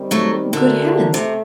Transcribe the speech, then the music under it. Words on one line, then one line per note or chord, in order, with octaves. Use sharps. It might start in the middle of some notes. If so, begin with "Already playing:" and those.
Good heavens!
Already playing: D#3 G3 C4
F#3 A3
A2 D3 A3 D4 F#4 A#4
C3 A3